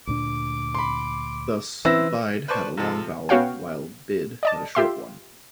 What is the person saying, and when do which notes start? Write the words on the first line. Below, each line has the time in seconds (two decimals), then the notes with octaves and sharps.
Thus "bide" had a long vowel, while "bid" had a short one.
0.07 D2 A#2 D4 D6
0.75 B5 C6
1.85 E3 C4 C#4 E4 B4 E6 A#6
2.48 B4 C5 D5 A5 C#6
2.77 C3 F3 A4
3.29 B3 C#4 F#4 C#5 F5 G5
4.43 D5 D#5 A5
4.75 F4 G4 E5 C6